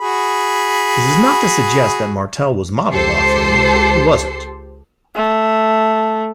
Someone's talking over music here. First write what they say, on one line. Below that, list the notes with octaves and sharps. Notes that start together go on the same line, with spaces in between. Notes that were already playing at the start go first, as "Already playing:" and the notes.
This is not to suggest that Martell was modeled off him; he wasn't.
F#4 G#4 B5
C#2 G4 A4 C5 C6 C7
A3